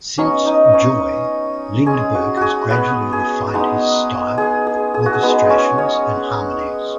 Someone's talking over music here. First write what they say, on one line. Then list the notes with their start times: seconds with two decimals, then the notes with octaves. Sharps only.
Since "Joy", Lindberg has gradually refined his style, orchestrations and harmonies.
0.18 F#3 B3 C#4 D#4 C#5
0.45 D#4 D#5
0.64 D#5
0.73 C#4 C#5
1.86 G#3 C#4 G#4
2.15 F#4
2.37 F#4 G#4
2.70 B3 B4
3.13 G#4
3.54 G#3 B3 D#4
4.38 G#4
4.67 G#4
4.94 G#4
5.06 F#4
5.14 G#4
5.22 G#3 B3 D#4 B4
5.50 C#4 C#5
5.78 C#4 C#5